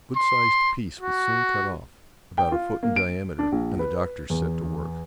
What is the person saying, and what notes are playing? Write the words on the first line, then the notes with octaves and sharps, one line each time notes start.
A good-sized piece was soon cut off, about a foot in diameter, and the Doctor set to work.
C6
F#4
G5
F4
A#3
D7
D4
A#1
B4
E2